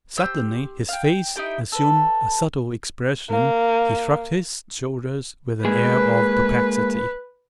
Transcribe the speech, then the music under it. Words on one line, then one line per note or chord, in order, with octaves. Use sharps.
Suddenly his face assumed a subtle expression, he shrugged his shoulders with an air of perplexity.
G4 C5 E6 G6
F5 G5
G5
D#4 E4 G4 G5
A4 B4
A#3
G#3 A#3 G#4 B4